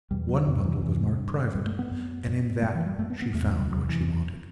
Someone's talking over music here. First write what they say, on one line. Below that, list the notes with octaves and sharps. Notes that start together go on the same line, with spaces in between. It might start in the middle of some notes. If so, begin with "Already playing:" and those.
One bundle was marked "private," and in that she found what she wanted.
E2 B2 G3
F#3
E2 C3 D#3
F#3
E3
E2 C3 E3
G2
G2 G3
A3
B3
F#2
F#2
F#2 A3
E3
G3
F#2 A3
B3
B3
E2 C3 A3
A3
G3
E2 C3 F#3
E3
F#2